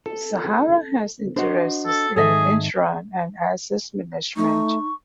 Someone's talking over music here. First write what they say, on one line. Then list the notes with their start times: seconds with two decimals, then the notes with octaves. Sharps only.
Sahara has interests in insurance and asset management.
0.06 A4
1.36 D4 F#4 C5 D#5
1.86 A4
2.16 G#2 D#3 G#4 A4 D#5 E5
4.36 A3 D#4 C#6